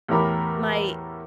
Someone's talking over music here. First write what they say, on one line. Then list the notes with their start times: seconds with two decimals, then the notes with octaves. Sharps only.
the My
0.08 E2 A2 G4 A#4 B5